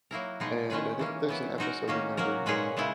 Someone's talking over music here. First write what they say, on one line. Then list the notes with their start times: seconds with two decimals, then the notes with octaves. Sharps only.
and I think there's an episode in there where he
0.11 F#3 A#3 E4 A#4
0.40 B2 G#3 D#4 G#4
0.70 D#3 G#3 C#4 G#4 B4
0.99 E3 A#3 C#4
1.29 E3 B3 E4
1.58 G#3 D#4 F#4 A#4
1.88 D#3 A#3 C#4
2.17 F#3 A#3 C#4 F#4 A#4
2.46 A#2 G#3 C#4 G#4 B4
2.77 C#3 G#3 B3 E4